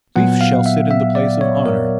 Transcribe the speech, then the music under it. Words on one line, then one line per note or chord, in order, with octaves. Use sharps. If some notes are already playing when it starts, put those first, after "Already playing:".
"Leif shall sit in the place of honor."
A#2 F#3 B3 F#5
F5
E5
E5
D5
C#5
A#4